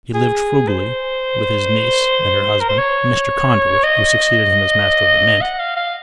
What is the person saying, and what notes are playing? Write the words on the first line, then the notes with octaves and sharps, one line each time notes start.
He lived frugally with his niece and her husband, Mr. Conduit, who succeeded him as Master of the Mint.
G#4
C5
A#4
C5
C#5
D#5
F#5
F5
F5